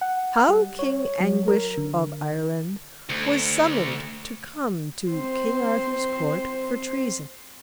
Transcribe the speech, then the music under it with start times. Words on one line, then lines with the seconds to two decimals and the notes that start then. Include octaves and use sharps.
How King Anguish of Ireland was summoned to come to King Arthur's court for treason.
0.01 F#5
0.49 G3
0.79 C#5
1.20 F#3
1.48 A#4
1.77 D3
3.09 D2
5.10 C4 C5